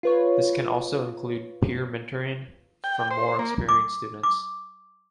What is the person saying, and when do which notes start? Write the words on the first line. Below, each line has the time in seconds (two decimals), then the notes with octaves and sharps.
This can also include peer mentoring from more experienced students.
0.03 F4 B4 C#5
2.84 G5
3.11 C5
3.39 A#3
3.69 D6
4.23 D6